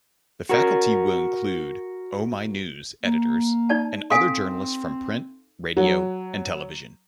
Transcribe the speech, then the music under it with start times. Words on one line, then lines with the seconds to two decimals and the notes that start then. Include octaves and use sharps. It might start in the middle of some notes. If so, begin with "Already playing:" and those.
The faculty will include "OhmyNews" editors and other journalists from print, radio and television.
0.49 F#4 A#4
3.03 A#3
3.69 D#4 D5 A5
4.11 C4 A4 F5 G#5
5.77 F#3